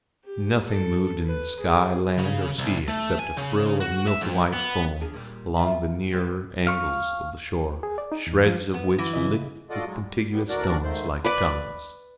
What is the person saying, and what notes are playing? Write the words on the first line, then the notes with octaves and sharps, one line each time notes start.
Nothing moved in sky, land, or sea, except a frill of milkwhite foam along the nearer angles of the shore, shreds of which licked the contiguous stones like tongues.
G4
A4
B4
G#4
C#3
C2
A3
G#5
C#3
F#4
E5
F2
B3
F3 D4 G#4
A#2 G3
F4 E5
C4 G4 B4
F5 C#6
G#4
D5
D#4
E2
F3
B3
E3
C#3 E4 D#5
F4 F#4 A4 D5 D#5
F#3 G#3
G3
G3 B3
D2 D4 F#4 A#4 D5 F#6
G#2 D#3 A3 C5
B4 D5 B5